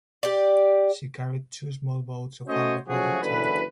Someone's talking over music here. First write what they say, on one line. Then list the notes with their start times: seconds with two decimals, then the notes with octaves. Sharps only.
She carried two small boats of unrecorded type.
0.23 G4 D5
2.47 A3 C#4 F#4 C5 C#5 D#5
2.88 C#3 F3 F#3 A3 F#4 G#4
3.22 F#1 D3 E3 B4